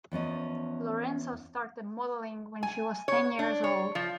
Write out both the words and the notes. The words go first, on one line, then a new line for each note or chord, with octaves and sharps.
Lorenzo started modeling when she was ten years old.
E2 F3 C#4 D#5
G#5
C#5
D4
C#5
F3